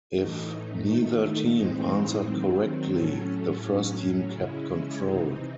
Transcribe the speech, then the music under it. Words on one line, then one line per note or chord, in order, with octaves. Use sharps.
If neither team answered correctly, the first team kept control.
A2 E3 A3 D#4
D#3 A3 D#4
A2 E3 G#3 C4 D#4
D#3 F#3 C4
A2 F#3 A3 C#4
A2 F#3 C#4
C#3 G#3 C#4 E4
C3 E3 C4 D#4